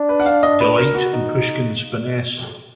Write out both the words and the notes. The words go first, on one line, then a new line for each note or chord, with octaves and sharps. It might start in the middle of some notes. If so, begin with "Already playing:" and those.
Delight in Pushkin's finesse.
Already playing: D4
B4
F#5
F5
D#5
B4
A#4
F#4
D#4